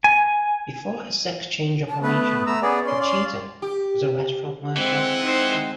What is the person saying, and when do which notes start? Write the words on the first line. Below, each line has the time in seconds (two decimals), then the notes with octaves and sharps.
Before her sex-change operation, Cachita was a restaurant worker.
0.04 G#5
1.89 A5
2.03 A3 B3 B4
2.46 A3 A#5 E6
2.62 B3 C#4 G#4 D5
2.87 D5 C6
3.01 D5 F5 C6
3.62 G4
4.76 E3 G#3 C4 F#5
5.21 D#4 C5